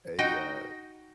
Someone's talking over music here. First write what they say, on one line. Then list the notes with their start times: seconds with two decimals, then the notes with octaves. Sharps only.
a, uh
0.19 D#4 F#4 D#5 G5